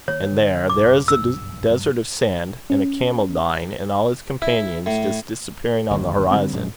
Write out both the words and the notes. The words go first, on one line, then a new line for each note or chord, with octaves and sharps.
And there, there is a desert of sand, and a camel dying, and all his companions just disappearing on the horizon.
D#3 A#3 C#5
D3
F#1 B1 G2 D6
E6
G2 F#3 G#3
C#4
E4
A2
G1 D#2
D3 G3 C4
A#1 F#2 G#3